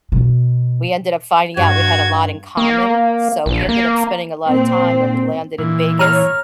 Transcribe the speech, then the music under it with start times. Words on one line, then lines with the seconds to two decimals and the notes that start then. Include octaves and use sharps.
we ended up finding out we had a lot in common, so we ended up spending a lot of time when we landed in Vegas,
0.12 B2
1.57 G2 F#4 G#6
2.57 A#3
3.46 A#1
3.69 A#3
4.48 A#2 C4
5.58 A#2 E3
5.99 C#5 A#5 F6